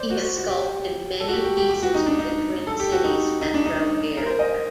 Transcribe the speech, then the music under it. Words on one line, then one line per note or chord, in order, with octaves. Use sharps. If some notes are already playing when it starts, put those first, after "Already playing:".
He has sculpted many pieces for the Twin Cities Metro area.
Already playing: C5 D5
F#4
F#4
G4
A4
F#4
G4
G4
G4
G4
F#4
D#4
D4
D#4
A4
G4
F#4
D#4
D#4
D4
D#4
A#4
C5
D#5